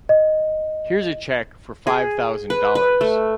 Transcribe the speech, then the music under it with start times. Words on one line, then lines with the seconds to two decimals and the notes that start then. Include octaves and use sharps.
Here's a check for five thousand dollars.
0.09 D#5
1.87 G#4
2.50 B4
2.75 B4
3.01 A3